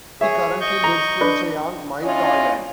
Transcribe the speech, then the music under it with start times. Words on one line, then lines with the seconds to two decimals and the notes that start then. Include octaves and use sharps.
He currently lives in Chiang Mai, Thailand.
0.21 G#4 C#5 E5
0.60 D#5 C#6 G6
0.84 A#5
1.21 D4 B4
2.03 C#4 D4 E4 F4 C#5 D#5